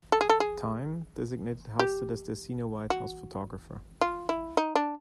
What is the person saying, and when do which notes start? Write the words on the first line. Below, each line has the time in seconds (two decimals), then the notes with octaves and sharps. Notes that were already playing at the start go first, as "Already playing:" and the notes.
"Time" designated Halstead as their Senior White House Photographer.
0.12 A4
0.21 G#4
0.29 A4
0.40 G#4
1.79 G4
2.90 F#4
4.01 F4
4.29 E4
4.57 D#4
4.75 D4